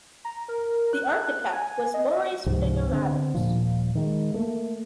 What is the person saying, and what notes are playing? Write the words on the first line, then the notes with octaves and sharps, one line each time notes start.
The architect was Maurice Bingham Adams.
A#5
A#4
F#6
G#5
D#5
C#2 G#2 C3 F3
D3 E3 B3 C4
D#1 A#2 F3
D#3 G#3
A3 A#3